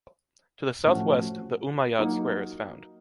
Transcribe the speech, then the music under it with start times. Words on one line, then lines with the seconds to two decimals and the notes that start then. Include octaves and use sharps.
To the southwest, the Umayyad Square is found.
0.84 A2 F3 A3 C#4 F#4
1.99 F#3 A#3 D#4